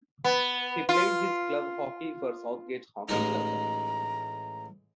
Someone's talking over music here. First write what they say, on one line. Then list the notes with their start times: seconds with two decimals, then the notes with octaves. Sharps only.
He played his club hockey for Southgate Hockey Club.
0.24 B3
0.89 F4
3.09 A1 G#3 D#4 A#5